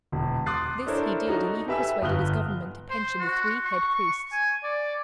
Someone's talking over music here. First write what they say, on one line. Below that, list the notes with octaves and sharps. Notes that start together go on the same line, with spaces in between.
This he did, and even persuaded his Government to pension the three head priests.
E1
C6 D6 D#6 F#6 A6 C7
D4 E4 A4 A#4 C5 C#5
D#4 F#4 A4 A#5
G4 B4 E5 G#5 E6
G1 F5 D#6 F6 F#6 G7
C5
F#4
C#6
G#5
D5